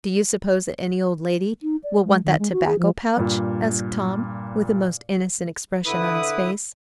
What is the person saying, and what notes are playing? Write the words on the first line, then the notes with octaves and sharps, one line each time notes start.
"Do you suppose that any old lady will want that tobacco pouch?" asked Tom, with a most innocent expression on his face.
D#4
D5
G#3
D#3
G#3
F#4
G#4
F3
G2 A#2
D3 E4 B4 D#6